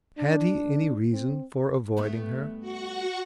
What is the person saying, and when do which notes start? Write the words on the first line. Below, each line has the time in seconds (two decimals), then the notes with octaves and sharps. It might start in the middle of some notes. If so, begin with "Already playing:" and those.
Had he any reason for avoiding her?
0.19 D4
1.13 C4
1.97 G2 A3 B3
2.60 F#4 F#5 C#6